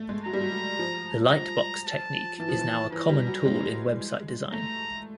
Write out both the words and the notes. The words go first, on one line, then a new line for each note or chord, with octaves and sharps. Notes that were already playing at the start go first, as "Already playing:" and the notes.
The Lightbox technique is now a common tool in website design.
Already playing: A3
G#3
F#3 A#5
G3
F#3
F#3
F3
A#5
A5
E3 A5
F3
E3
E3 A#5
G3
F#3
G#3
A3 A#5